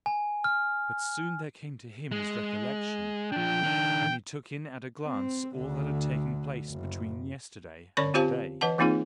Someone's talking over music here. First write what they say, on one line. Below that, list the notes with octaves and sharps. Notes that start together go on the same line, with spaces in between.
But soon there came to him his recollection, and he took in at a glance all that had taken place between yesterday and to-day.
G#5
F6
G#3
F3 D4 G5
D#3 D4
C4
D2 D3
F#1
D3 C#4 C#5 D5 B5 C#6
C4 F4 G4 C5 F5 A5
E3 B4 D#5 F#5 A5
E3 A#3 C4 D#4 F4 G#4